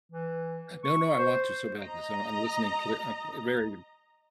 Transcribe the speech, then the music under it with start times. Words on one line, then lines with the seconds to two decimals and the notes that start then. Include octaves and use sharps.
No, no, I want to so badly, so I'm listening clear uh, eh very
0.12 E3
0.84 C#6
1.18 C5
1.77 D#5 A#5